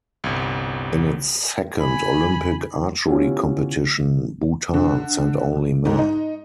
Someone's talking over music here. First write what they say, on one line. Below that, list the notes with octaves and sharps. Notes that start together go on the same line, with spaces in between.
In its second Olympic archery competition, Bhutan sent only men.
G1 C2
G#5 B5
B3 C#4 E4 F4 G4
D3
G#2
D#4